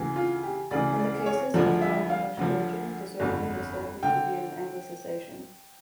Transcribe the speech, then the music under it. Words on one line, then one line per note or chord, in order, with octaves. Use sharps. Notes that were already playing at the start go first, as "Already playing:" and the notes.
In the cases of non-English origin, the surname is likely to be an Anglicisation.
Already playing: D2 C#3 E3
F4
G4
D2 C#3 E3 D5
D5
C#5
D2 D3 F3 D5
E5
F5
D2 D3 F3
G1 F2 D3
D3 G5